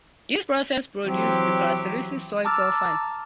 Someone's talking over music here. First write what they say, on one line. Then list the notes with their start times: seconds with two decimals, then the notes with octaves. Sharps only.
These processes produce the characteristic soil profile.
1.06 E3 F#3 C4 G4
2.45 A5 A#5 D6 E6 F6 A6